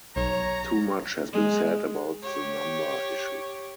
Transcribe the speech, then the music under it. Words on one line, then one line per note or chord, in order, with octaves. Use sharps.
Too much has been said about the number issue.
B1 C#5 A#5
G#3
G4 C#5